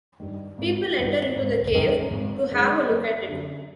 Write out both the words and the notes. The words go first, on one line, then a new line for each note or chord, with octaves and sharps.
People enter into the cave to have a look at it.
G2 D#3
G#1
G2 D#3
G#1
F#2 D#3 G#3
G#1
F#2 D#3 G#3
F#1
F#2 D3